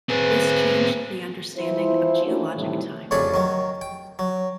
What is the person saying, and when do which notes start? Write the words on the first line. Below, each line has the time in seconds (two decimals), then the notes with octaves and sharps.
This changed the understanding of geologic time.
0.09 C4 G#4 B4
1.57 E3 F3 E4 C5
2.26 A3 A#3 C#4 D4 E4 F#4
2.56 A2 C3 D#3 E3 G3
3.11 A1 F2 C#3 D4 C#5 B5
3.34 D#3 F#3
3.81 G5
4.19 F#3